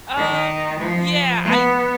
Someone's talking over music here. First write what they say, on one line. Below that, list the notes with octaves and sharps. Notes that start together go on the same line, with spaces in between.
Um, yeah, I
D#3
F3
B3